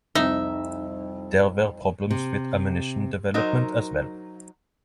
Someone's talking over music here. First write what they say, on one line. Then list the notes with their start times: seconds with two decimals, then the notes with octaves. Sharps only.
There were problems with ammunition development as well.
0.15 C2 F2 D#4 E5
2.11 C3
3.34 F#3 D#4 A#4 C5